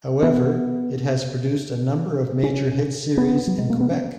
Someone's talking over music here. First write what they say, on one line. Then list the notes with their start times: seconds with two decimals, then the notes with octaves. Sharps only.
However, it has produced a number of major hit series in Quebec.
0.23 B3
2.43 C#4
3.17 B3
3.47 F#3
3.59 G#3
3.70 A#3
3.80 B3
3.91 C#4